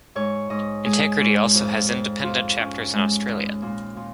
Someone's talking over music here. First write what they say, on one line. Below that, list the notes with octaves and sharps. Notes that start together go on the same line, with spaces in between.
Integrity also has independent chapters in Australia.
G#2 C#5
G#2 D#5
G#3 G#4
G#2
F2
F2
F2 F4
F2 C#4
G#3
D#2
A#2 A#3
A#2